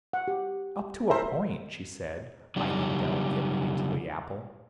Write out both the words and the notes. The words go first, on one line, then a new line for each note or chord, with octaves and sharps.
"Up to a point," she said, biting delicately into the apple.
F#5
G4
G5
E4 A#4 C5 E5 A#5
C#3 F#3 G3 D4 D#4